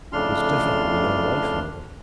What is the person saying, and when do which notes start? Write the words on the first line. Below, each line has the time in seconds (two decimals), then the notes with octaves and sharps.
It was different with the young wife, however.
0.13 F2 A2 C#3 D4 C6 F6